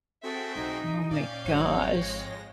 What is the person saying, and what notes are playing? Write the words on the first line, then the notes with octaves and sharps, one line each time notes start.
Oh my gosh.
C4 F#4 G#4 A4 E5 G5
B1 D#4
A#2 C#4 D5 F5 G5
G#1 G#2 F#3 F#4 C#5
F2 G#3 A#6